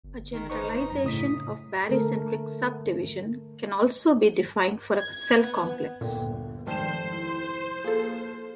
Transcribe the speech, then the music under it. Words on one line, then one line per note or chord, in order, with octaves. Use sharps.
A generalization of barycentric subdivision can also be defined for a cell complex.
G1
D#3
D#4 B4 C5 C#6
F#2 A#5
A2 C#3 D#6 B6
D3 A3 A4 A#4
G#6
B3
G1 D2 A#2 D3 G5
F1 G#2 D#3 F3 C5 G5 A5 E7
E4
A#3 F4 G#4 A4